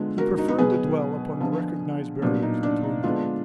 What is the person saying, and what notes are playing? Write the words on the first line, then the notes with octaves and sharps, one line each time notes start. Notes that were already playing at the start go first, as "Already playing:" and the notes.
He preferred to dwell upon the recognized barriers between them.
Already playing: D3 G#3 B3 F4
F#4 A#4
D#4 F#4
D#4 F#4
B2 F#3 B3 G#4 B4
D3 F3 B3
A#2 F#3 B3 D4
D#4
D4
D#4
D3 G#3 B3 D4 F4